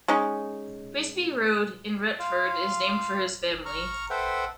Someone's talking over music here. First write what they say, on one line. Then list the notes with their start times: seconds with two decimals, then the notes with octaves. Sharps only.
Bigsby Road in Retford is named for his family.
0.08 G#3 C#4 D#4
2.19 F4 F5
3.66 A#5 C#6 F6
4.10 A4 B4 C5 E5 F#5 G5